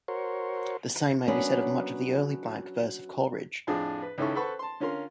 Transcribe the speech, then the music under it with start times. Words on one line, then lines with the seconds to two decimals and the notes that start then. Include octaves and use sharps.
The same may be said of much of the early blank verse of Coleridge.
0.08 F#4 A#4 C5 C#5
1.28 F#3 A#3 B3 C#4 D4
3.67 F2 A2 D4 F4 G#4
4.02 B4
4.18 C#2 D#3 C#4 E4 A4 C#6
4.35 A4 B4 C5 F#5 B5 C#6
4.59 A5 C6
4.80 D3 C#4 F4 A#4 C6